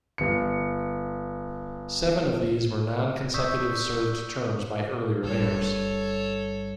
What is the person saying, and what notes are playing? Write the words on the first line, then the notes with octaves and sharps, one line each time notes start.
Seven of these were nonconsecutive served terms by earlier mayors.
G1 C#7
D5 C#6 D#6 E6 G6 B6
G1 G2 A4 C#5